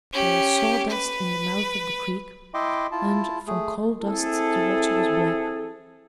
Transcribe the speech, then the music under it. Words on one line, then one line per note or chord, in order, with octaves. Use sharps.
There was sawdust in the mouth of the creek and, from coal-dust, the water was black.
C#4 G4
B4
E4 D#5 E5 G5 C6 D6
E4 F4 A5
A3 G#4
C4 E4 G#4 A4